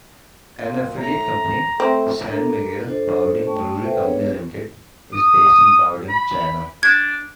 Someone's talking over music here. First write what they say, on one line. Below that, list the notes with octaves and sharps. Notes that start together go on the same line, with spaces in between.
An affiliate company, San Miguel Baoding Brewery Company Limited, is based in Baoding, China.
A#2
A2 A#5
A3 C4
D4 A4 A#4 A#5
D4 F4 A4 C5 D#5
A3 G5 A5 C#6
A4 B4 C5 E5 F#5 G5
B3 D4 G#4 B4 C#5
D#6
B5
D4 G#6